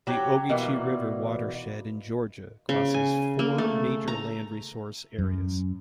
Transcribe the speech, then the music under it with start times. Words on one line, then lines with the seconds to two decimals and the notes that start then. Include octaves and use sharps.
The Ogeechee River watershed in Georgia crosses four major land resource areas.
0.07 F#3 G4
0.50 B2 E3 A#3 D5
2.69 C#3
2.94 G#5
3.39 A#3
3.58 A3
4.08 A#5
5.18 F#2